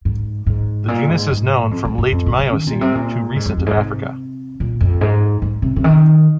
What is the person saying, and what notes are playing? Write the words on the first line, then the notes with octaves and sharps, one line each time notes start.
The genus is known from Late Miocene to Recent of Africa.
G#2
G#2
A#2
G#2
G#2
F2
G#2
G#2
F2
G#2
G#2
D#3
A#2
C3
A#2
G#2
F2
F2
G#2
C3
A#2
F2
G#2
G#2
C3
C3
D#3